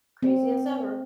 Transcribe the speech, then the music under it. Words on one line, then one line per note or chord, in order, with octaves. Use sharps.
Crazy as ever!
C4